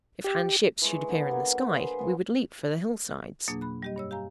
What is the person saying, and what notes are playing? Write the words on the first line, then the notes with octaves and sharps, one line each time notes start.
If Han ships should appear in the sky, we would leap for the hillsides.
G4
E3 G#3 C#5
D3 F#3 B3
A#3
G#4 B4 C5
F3 B3
F2 B2 F#3 A#3 D4 G#4
B5 F#6
G3 G4 D#5
G2 C#5 E6
G4 F5 G#5 A#5